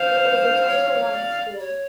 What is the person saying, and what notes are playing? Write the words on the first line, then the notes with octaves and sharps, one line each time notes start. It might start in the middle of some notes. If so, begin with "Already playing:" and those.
It is a Title One school.
Already playing: C5 F5
C#5
D5
C#5